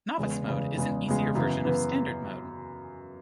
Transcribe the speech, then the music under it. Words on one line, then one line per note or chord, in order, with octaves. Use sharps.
"Novice Mode" is an easier version of "Standard Mode".
E2 C#3 G#3
E2 C#3 G#3
E2 C#3 G#3
E2 C#3 G#3
F#2 C#3 E3 B3
C#3 E3 B3